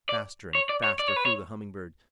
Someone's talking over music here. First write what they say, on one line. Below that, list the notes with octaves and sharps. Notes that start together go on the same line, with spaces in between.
Faster and faster flew the Humming-Bird.
D5
C#5
D5
C#5
D5
C#5
B4
C#5